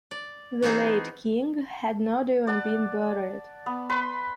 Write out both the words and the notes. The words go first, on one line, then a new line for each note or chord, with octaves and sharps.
The late king had not even been buried.
D5
E3 B3 C4 D#4 G#4
D5 F#5 A5
B3
B4 B5 C6